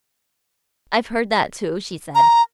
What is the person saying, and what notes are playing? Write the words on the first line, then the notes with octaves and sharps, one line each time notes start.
"I've heard that, too," she said.
A#5